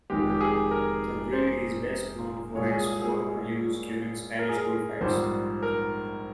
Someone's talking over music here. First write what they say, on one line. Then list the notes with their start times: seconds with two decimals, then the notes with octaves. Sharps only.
The breed is best known for its former use during Spanish bullfights.
0.10 F1 F2 D#3 G#3 G4
0.30 G4
0.40 G#4
0.71 A#4
1.33 C5
2.55 C2 A#2 G#3 C#5
2.71 G#4
2.87 G#4
3.02 G#4
3.17 G#4
4.39 A#4
4.49 G#4
4.58 A#4
5.01 A#1 G#2 G3 C5
5.63 A#4